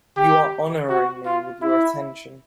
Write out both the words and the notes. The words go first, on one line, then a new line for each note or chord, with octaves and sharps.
You are honouring me with your attention?
G4
F#4
F4
E4